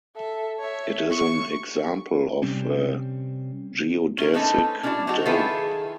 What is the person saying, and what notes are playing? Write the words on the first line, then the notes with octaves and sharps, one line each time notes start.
It is an example of a geodesic dome.
A4 E5
C#5 E5
C#6
C3 G3 C4 C#4
C#4 E4 A#4
A3 C4 C#4 D#4 A4 B4
C#4 D4 E4 F#4 D5
F#3 A3 C4 D#4 F#4 G4
D#3 E4 F4 G#4 A4 B4